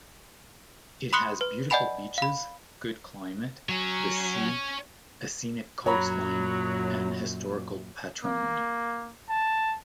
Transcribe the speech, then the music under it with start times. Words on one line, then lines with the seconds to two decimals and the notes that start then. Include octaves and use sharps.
It has beautiful beaches, good climate, the sea, a scenic coastline, and historical patrimony.
1.13 B5 C6 D#6 F#6 C#7 G7
1.41 B4
1.70 D5 D#5 F#5 G#5 B5 F7
2.18 F5 B5
3.69 F#3 C#4 C#5
5.86 F#2 A#2 F#3 C#5 A#5 B5
8.24 A#3
9.29 A5